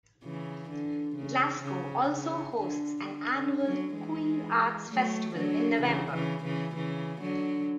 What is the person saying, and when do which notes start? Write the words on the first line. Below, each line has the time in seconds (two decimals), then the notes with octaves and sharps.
Glasgow also hosts an annual queer arts festival in November.
0.23 C#3 E3
0.70 D3
1.16 C#3
1.63 C#3
2.10 C#3
2.57 D3
3.03 D3
3.34 D3
3.65 D3 F#3
3.95 E3 G#3
4.90 F#3 A3
5.35 D3 F#3
5.82 C#3 E3
6.13 C#3 E3
6.44 C#3 E3
6.75 C#3 E3
7.21 D3 F#3